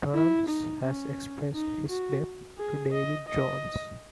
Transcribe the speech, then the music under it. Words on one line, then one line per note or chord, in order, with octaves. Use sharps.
Torrance has expressed his debt to David Jones.
E4
D#4
C#4
D#4
F#4
G#4
D#5
D#5